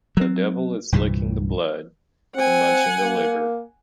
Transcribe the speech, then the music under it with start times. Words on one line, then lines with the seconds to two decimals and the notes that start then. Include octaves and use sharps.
The devil is licking the blood and munching the liver.
0.17 F#3 C4
0.92 C2 G2 A#2 E3
2.36 C4 F#5 G#5
3.02 A#3